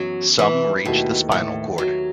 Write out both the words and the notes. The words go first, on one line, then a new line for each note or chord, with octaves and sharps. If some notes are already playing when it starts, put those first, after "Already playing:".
Some reach the spinal cord.
Already playing: F#2 E3 F#3 B3
E3
D#2 B2 D#3 A3 E4 A4
A2
F#3